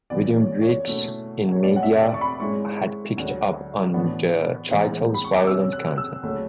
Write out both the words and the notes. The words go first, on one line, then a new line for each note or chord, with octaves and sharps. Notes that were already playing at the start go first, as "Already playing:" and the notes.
Within weeks the media had picked up on the title's violent content.
F#2 E3 B3 D5
C#5
C#5
B2 A3 C#4 E4
C#5
B2 A3 C#4 E4 D5
F#5
E5
D5
C#6
B5
G#2 G#3 C#4 E4 C#6
D2 D3 F#3
A2 E3 B3 D4
A2 E3 G#3 B3
B5
C#6
D6
B2 F#3 C#4 E6
F#6
E6
D2 C#3 F#3 A3